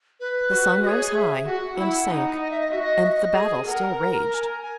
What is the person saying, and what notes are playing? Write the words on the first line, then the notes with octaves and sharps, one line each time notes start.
The sun rose high, and sank, and the battle still raged.
B4
F#4
G#4 C#5 D#5
E5
F#4 F#5
E4
D#4
D#5
E5
D#5
F#4 E5
D#5
E5
D#5
G#4
A#4 F#5
A#5
A#5
G#5
G#5